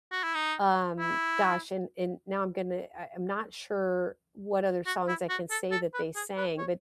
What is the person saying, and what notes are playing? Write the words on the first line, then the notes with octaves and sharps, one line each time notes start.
um, gosh, and and now I'm gonna I I'm not sure what other songs I can say that they sang, but
F#4
E4
D#4
E4
F#4
E4
F#4
A4
A4
B4
G#4
B4
C#5